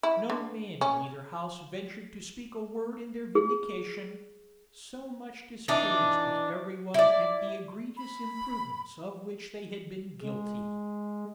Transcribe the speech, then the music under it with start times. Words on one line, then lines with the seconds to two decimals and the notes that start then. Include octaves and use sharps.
No man in either house ventured to speak a word in their vindication; so much displeased was every one at the egregious imprudence of which they had been guilty.
0.03 E4
0.30 D3
0.81 C#4
3.35 G#4
5.68 E3 D4 D#4
6.94 E4 D5
7.97 B5
10.22 G#3